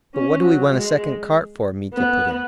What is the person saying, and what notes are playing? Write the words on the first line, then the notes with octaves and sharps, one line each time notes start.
"But what do we want a second cart for?" Mitya put in.
C#4
F#3
G#3
B3